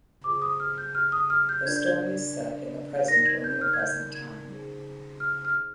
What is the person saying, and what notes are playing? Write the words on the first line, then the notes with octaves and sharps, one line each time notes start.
The story is set in the present or near-present time.
F4 G#4 C5 D6
D#6
F6
G6
F6
D#6
F6
G6
D4 F4 A#4 D5 G#6
G6
G#6
D#4 A#4 D5 A#6
A#6
G#6
G6
F6
G#6
G6
G#6
D#4 G#4 C5
F6
F6